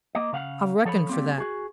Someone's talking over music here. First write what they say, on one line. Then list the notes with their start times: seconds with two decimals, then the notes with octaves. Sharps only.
'I've reckoned for that.
0.15 A#3 D#5
0.33 C#3 F5 F#5
0.85 F3 A4 C#5 B5
1.09 G3 A#3 C4
1.38 F#4 G#4